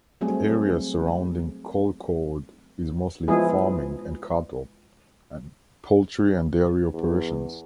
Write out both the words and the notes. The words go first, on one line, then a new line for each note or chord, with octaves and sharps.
The area surrounding Colcord is mostly farming and cattle, poultry and dairy operations.
F#3 G3 A3 C4 G#4
F3 G#3 B3 E4 G#4
E2